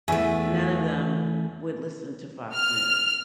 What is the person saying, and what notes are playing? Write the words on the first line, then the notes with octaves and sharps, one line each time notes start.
eh, none of them would listen to Fox News,
E2 E3 A3 E5 G#5
F6